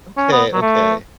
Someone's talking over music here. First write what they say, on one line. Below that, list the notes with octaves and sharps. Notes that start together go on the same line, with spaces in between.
Okay, okay.
C#4
B3
F#3
A3